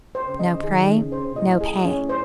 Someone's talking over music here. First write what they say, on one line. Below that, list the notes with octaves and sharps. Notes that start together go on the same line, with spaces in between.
No prey, no pay.
C5
C#3
D#5
D#3 G#4
C#4
C#3
C5
A2 D#5
G#4
C#4
C5